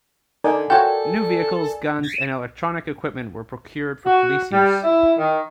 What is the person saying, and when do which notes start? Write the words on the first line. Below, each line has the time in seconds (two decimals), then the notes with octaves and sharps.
New vehicles, guns and electronic equipment were procured for police use.
0.44 D3 D#4 A#4 D5 G#5
0.70 F4 F#4 A4 C#5 G5
4.05 F#4
4.51 G3
4.82 E4
5.17 D#3